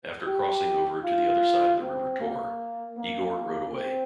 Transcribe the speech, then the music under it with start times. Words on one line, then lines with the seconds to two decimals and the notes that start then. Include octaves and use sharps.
After crossing over to the other side of the river Tor, Igor rode away.
0.27 G4
1.04 F4
1.81 C4
2.20 A#3
2.97 A#3
3.74 C4